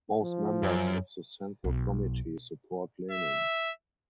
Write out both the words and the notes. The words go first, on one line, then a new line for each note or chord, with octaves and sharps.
Most members of the Central Committee support Lenin.
F3
F#2
B1
E5